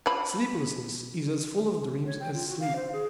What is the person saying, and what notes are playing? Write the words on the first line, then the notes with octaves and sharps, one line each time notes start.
Sleeplessness is as full of dreams as sleep.
F3 B5
C#5
G5
F4
F#4
F5
C5
G#4